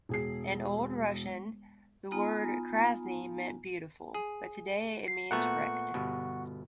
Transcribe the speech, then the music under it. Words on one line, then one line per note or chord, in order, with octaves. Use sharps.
In old Russian the word "krasny" meant "beautiful", but today it means "red".
E1 G#4 C7
B3 D#4 F4 G#5 A#5
G#4
C7
A#2 A3 B3 F#5 C#6
G1 B2